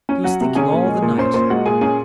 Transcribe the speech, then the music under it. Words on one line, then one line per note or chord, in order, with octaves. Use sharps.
He was thinking all the night.
C#4
F#3 F#4 F#5
C3
C#4 G#4 G#5
A#2
G#3
A#2
C#4 C5 C6
A#2 C5 C6
G#3 F#4 F#5
A#2 G#4 G#5
C#4 G#4 G#5